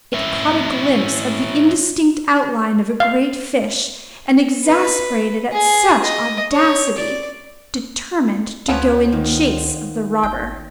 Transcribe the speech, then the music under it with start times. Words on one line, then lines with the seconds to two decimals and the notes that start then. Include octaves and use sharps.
It caught a glimpse of the indistinct outline of a great fish, and exasperated at such audacity, determined to go in chase of the robber.
0.13 C#4 E4
3.00 F5
4.64 B4
5.52 G#4
6.03 D#5
6.53 C#5
6.97 D5
8.68 D2 F3 B3 C#4 C5
9.12 D#3
10.23 G#1 G5